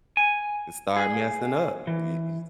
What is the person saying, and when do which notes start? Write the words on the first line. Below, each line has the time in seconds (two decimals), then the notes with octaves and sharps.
and started messing up. Y yes,
0.17 G#5
0.97 G#4
1.87 E3